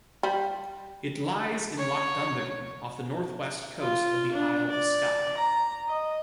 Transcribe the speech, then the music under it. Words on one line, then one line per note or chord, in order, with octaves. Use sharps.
It lies in Loch Dunvegan, off the northwest coast of the Isle of Skye.
G3
C#5
F4
D4
D5
A#5
D#5